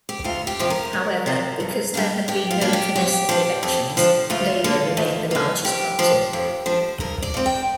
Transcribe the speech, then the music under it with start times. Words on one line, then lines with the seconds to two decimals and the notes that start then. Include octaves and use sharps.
However, because there had been no Knesset elections, Labour remained the largest party.
0.09 G4
0.24 D2 F4
0.47 G4
0.59 C3 F3
0.70 A#4
0.93 D2
1.26 C3 F3
1.60 G2
1.94 G3 A#3 D4
2.28 G2 G4
2.51 F4
2.61 G3 A#3 D4
2.73 G4
2.96 F2 G4
3.29 F3 D4
3.63 F2
3.97 F3 D4
4.30 D2 F4
4.64 D3 A#3
4.97 D2
5.31 D3 A#3
5.65 F2 G4
5.99 F3 D4
6.33 F2
6.66 F3 D4
7.00 G2 A#4
7.22 D5
7.34 F3 C4
7.46 G5